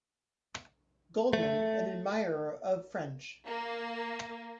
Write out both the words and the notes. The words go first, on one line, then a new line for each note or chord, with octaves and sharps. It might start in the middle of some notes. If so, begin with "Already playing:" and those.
Goldman, an admirer of French.
A3
A#3